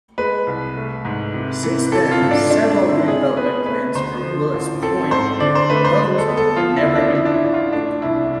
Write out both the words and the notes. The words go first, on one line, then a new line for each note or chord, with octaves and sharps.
Since then, several redevelopment plans for Willets Point were proposed, but never implemented.
G#3 B4
C2
A3
G#2
C3
E3
C4 A4
F4
G#2
D4
A3 D4
D4
C4
E4
G#3 G#4
B3 B4
A3 B4
D2 C5
F3
A1
C4 A4
G#2 C5
D3 D5
C5
A3 B4
C5
G#3
A4
B3
A4
F3 F4
E4
D2
D4
F3 E4
D4
E4
A1
F4
A3 D4
C2 E4